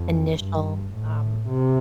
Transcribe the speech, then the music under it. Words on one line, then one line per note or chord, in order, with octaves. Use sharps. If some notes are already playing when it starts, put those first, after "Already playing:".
initial, um,
Already playing: F2
G2
A2
C3